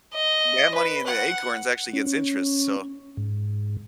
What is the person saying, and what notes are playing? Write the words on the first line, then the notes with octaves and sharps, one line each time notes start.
that money in the acorns actually gets interest, so
D#5
B4
F#5
C#4
C#4
G#2